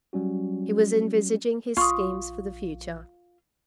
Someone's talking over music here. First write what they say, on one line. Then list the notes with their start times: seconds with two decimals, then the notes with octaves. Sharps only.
He was envisaging his schemes for the future.
0.13 F#3 G3 C#4 F#4
1.77 A#1 F4 C#6 D#6